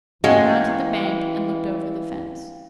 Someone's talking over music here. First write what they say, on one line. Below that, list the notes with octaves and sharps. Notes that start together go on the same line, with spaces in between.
He mounted the bank and looked over the fence.
E3 G#3 C#4 F#4 F5 G5